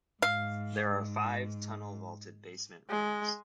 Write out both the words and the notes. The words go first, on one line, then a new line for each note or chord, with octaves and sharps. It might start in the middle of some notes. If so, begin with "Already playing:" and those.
There are five tunnel-vaulted basement rooms.
G#2 F5
G#3